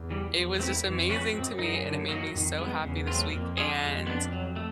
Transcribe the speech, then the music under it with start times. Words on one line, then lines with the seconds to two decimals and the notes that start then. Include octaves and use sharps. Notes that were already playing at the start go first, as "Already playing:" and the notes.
it was just amazing to me, and it made me so happy this week, and,
Already playing: E2
0.10 E3 G3
0.34 E2 F3
0.60 A3 C4 E4
0.84 F2 E3
1.10 A3 C#4 F#4 B4
1.33 F#2 C4
1.59 D#4 G#4
1.84 D3
2.09 F#3 A#3 D#4 F#4
2.33 F2 D#3
2.59 G#3 B3
2.83 E2 C#3
3.07 F#3 A3 C4 F4
3.32 F2 A#3
3.58 D4 F4 G#4
3.82 F2 G#3
4.07 B3 D4
4.32 F#3
4.56 A3